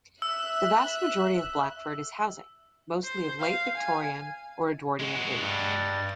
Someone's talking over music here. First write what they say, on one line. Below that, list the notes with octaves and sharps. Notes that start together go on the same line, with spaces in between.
The vast majority of Blackford is housing, mostly of late Victorian or Edwardian age.
E5 E6 F#6
C5
F5
G#5
G#3 F#4
G2 A6